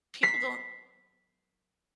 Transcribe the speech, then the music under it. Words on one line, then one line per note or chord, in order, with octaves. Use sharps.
People don't
B6 C7